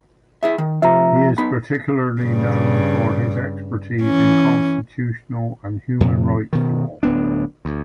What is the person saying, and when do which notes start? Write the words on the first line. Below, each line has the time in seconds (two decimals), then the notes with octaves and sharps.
He is particularly known for his expertise in constitutional and human rights law.
0.43 E4 G#4 E5
0.58 D#3
0.82 C3 F3 F4 E5 A#5
1.38 B3 D#4 B5
2.22 G2 C#3
4.03 E3 C#4
6.00 F2 C3
6.53 B2 D#3
7.03 D1 B3 D4
7.65 D2